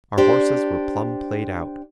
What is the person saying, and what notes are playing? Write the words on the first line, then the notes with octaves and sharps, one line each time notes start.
Our horses were plumb played out.
D4 G4 C5